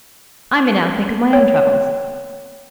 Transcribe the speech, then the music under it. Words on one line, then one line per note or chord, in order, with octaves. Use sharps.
I may now think of my own troubles.
C#5 G5